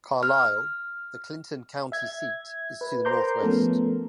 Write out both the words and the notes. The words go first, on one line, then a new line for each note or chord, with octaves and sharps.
Carlyle, the Clinton County seat, is to the northwest.
F6
E5 G#6
B4
A#4 C5 A#5 C6 D6 G6
F3 A3 B3 C#4 A4 A#4